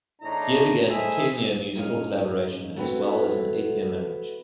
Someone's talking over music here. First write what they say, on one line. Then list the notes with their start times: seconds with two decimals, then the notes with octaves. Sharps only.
Here began a ten-year musical collaboration as well as an eight-year marriage.
0.22 E2 A2 D4 D#4 A#5
0.87 E4 G#4 A4 C5 D#5 E5
1.76 G#2 C#4 D#4 C#5 F5
2.76 A3 B3 C4 E4 F#4 A4